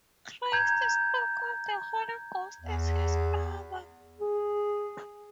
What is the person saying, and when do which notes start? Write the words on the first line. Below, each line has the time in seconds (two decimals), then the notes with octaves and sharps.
Christ spoke of the Holy Ghost as his mother.
0.52 A#5 G6 G#6
2.61 E2
4.20 G#4